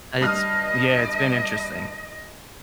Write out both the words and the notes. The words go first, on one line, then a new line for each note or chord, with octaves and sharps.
it's yeah, it's been interesting.
G2 D#5 D#6 F6